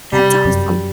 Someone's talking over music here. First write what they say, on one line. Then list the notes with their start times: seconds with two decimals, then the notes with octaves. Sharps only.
That's awesome.
0.12 C3 G3
0.45 F#2